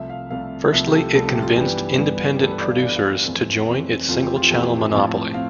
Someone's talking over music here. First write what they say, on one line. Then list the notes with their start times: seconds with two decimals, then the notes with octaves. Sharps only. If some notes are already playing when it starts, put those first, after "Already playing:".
Firstly, it convinced independent producers to join its single channel monopoly.
Already playing: C2 C3 F3 A3 E5
0.10 F5
0.31 C2 C3 F3 A3 F5
0.72 C2 C3 F3 A3 E5
0.87 G4
0.94 A4
1.14 C2 C3 F3 A3 A4
1.28 G4
1.42 F4
1.56 G2 E3 G3 B3 G4
1.98 G2 E3 G3 B3
2.34 G4
2.40 G2 E3 G3 B3 A4
2.51 B4
2.61 D5
2.72 F5
2.82 G2 E3 G3 B3 D5
2.96 F5
3.24 F2 E3 A3 C4
3.66 F2 E3 A3 C4
4.08 F2 E3 A3 C4 F4
4.22 G4
4.36 F4
4.50 F2 E3 A3 C4 G4
4.92 A2 F3 A3 C4
5.34 C4 F5